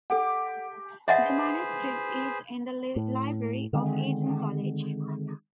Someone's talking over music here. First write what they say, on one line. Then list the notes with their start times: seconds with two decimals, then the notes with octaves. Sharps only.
The manuscript is in the library of Eton College.
0.10 G4 A4 F#5 D6
1.08 G#4 B4 C5 D#5 E5 F#5
2.96 A2
3.73 D3 D#3 G#3 C4